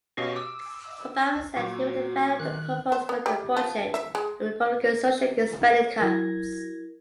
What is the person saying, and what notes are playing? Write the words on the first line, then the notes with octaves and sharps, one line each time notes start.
Obama said he would veto a proposed Republican budget over Republican social spending cuts.
B2 C#4 G4 D#5 F5 C#6
D6 E6
A#2 F#3 F#4
D#3 F#6
C5
B3
G3
F3
E5
G#3
A#4
F#3 E4 A#4 G#6 A#6